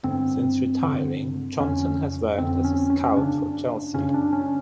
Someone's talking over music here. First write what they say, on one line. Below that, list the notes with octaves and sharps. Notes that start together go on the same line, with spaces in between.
Since retiring, Johnson has worked as a scout for Chelsea.
G2 D3 C4
G2 D3
F2 D3 C#4
F2 D3 C4
C#4
C#4
F#2 C#3 D4
F#2 C#3 C#4
D4
C#4